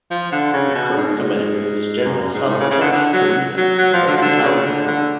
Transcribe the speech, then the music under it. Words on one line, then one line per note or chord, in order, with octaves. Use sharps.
The current commander is General Salvatore Farina of the Italian Army.
F3
D3
C#3
B2
G#2
F#2
F#2
G#2
A2
C#3
C#3
D3
D3
F#3
F#3
F#3
F3
D3
F3
D3
C#3
D3
D3